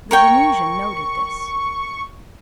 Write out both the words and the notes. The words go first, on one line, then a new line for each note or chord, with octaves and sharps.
The Venusian noted this.
A#4 C#5 G5 C#6